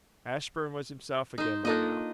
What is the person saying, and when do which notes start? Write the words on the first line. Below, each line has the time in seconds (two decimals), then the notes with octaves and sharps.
Ashburn was himself again by now.
1.38 D#4 C5
1.65 A#3 D4 D#4 F4 A4 D#5